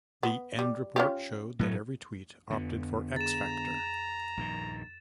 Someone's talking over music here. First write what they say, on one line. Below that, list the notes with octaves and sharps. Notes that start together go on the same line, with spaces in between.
The end report showed that every Tweet opted for X-Factor.
B3
G3
C#4 F4 G4
A2 F#3 A3
F2 D3 B3
G#4 A#5 A6 E7
A#1 G2 D#3